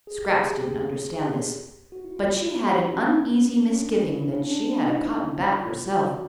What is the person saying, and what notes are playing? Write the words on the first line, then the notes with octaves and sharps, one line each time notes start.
Scraps didn't understand this, but she had an uneasy misgiving that she had a cotton back herself.
G#4
G4
G4
G#4
G4
G#4
G4
F#4
E4
F4
F#4
G4
F#4
F4
C#4
C#4
D4
E4
D4
C#4
D4
D#4
E4
F4
G4
F#4